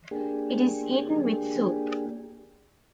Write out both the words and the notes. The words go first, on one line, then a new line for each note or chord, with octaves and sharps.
It is eaten with soup.
A#3 D4 G4 G#4